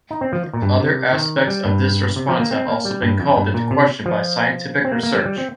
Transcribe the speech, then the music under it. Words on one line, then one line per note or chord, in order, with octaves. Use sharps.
Other aspects of this response have also been called into question by scientific research.
D#4
C4
F3
A#2
G2
C3
D#3
G3
G2
C3
F3
A#3
C4
A#3
G3
G2
F2
G2
A#2
C3
F3
C4
A#3
A#3
G3
G3
C4